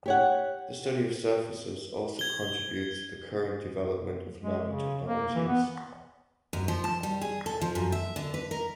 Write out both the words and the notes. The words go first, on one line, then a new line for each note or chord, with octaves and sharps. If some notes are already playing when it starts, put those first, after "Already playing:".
The study of surfaces also contributes to the current development of nanotechnologies.
G4 C#5 F#5
G#6 G7
G#3
C#3
A#3
E3
B3
F#2
F3
A5
G3
G#4
A4
F3
F#2
E5
D3
B4
A#4